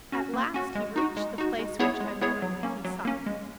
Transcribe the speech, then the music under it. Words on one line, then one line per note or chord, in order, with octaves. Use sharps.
At last he reached the place which unknowingly he sought.
C#4 F#4
A#3
C#4 F#4
G#3
D#4 F#4
G#3
D#4 F#4
G#3
B3 E4 G#4 C#5
G#3
B3 E4 G#4 C#5
F#3
A#3 C#4
F#3
A#3 C#4
G#3